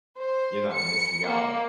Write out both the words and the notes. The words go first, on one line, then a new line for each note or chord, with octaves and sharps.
you're not missing out.
C5
C#7
A#3